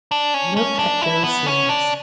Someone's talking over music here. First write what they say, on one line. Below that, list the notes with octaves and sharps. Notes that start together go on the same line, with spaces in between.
Look at those sleeves!
D4
C#4
C#4
D4
E4
B3
C#4
D4